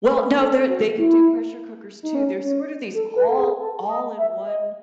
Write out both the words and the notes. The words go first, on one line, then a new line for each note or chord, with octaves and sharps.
Well, no they're they can do pressure cookers too. They're sort of these all all in one,
B4
A4
F#4
E4
D#4
C#4
C#4
A4
B4
A4
G#4
A4
D#5
E5
D#5